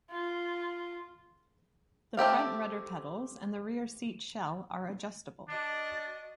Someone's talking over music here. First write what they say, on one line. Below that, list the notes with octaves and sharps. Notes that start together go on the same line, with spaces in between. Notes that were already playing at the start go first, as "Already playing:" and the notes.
The front rudder pedals and the rear seat shell are adjustable.
F4
A3 C4 G4 F5
D4 F#4 D#5 A6